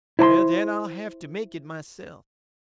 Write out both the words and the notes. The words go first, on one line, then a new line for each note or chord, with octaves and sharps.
"Well, then, I'll have to make it myself."
E4 C5 A#5 C6